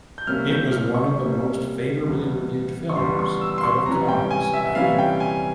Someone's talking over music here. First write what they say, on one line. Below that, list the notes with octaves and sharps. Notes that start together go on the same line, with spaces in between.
It was one of the most favourably reviewed films out of Cannes that year.
G6
C3 G3 A#3 C#4 F6
G6
F6
C#6
C3 G3 A#3 C#4
E2 C#3 G3
C#6
E2 C#3 G3 C6
C#6
E6
C6
C#6
C3 E3 G3 C#4 A#5
G5
G#5
E5
C3 E3 G3 C#4 F5
G5
G#5